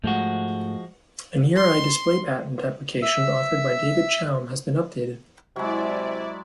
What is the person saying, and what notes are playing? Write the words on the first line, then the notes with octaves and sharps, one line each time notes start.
A near eye display patent application authored by David Chaum has been updated.
G#2 F3 G#3 A3 F#4
C6
E5 E6
C3 F#3 G#3 E4 D5